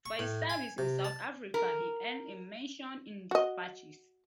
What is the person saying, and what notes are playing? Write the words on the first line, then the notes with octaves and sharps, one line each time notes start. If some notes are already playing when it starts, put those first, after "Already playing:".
For his service in South Africa he earned a Mention in Despatches.
C#6
A2
G#5
C3
A5
A#4
F#4 D#5